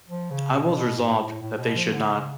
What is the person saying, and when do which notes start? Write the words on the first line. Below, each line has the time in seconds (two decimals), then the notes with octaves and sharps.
I was resolved that they should not.
0.08 F3
0.31 C#3
0.53 B2
0.75 B2
0.98 G#2
1.20 A2
1.42 A2
1.59 B2
1.77 F3
1.93 D3
2.10 C#3